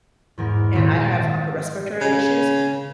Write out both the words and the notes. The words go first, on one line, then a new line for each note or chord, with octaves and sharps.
and I have upper respiratory issues,
E2 G#2 A#4
A#2 D#3 C4
A6 D7
C#3